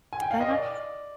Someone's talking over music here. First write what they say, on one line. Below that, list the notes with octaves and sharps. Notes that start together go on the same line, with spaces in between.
Oh, that's
G#5
G5
F5
D#5
D5